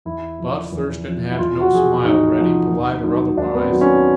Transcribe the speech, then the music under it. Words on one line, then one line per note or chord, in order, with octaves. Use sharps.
But Thurston had no smile ready, polite or otherwise.
E2 E4
C#3 F3
E2
C#3 F3
E4
E2 F4
F#4
C3 F3 G#4
G4
E2 D#4
C3 F3
D#2
D#3 F#3
D#2 D4
B3
C4
D#3 F#3
C#4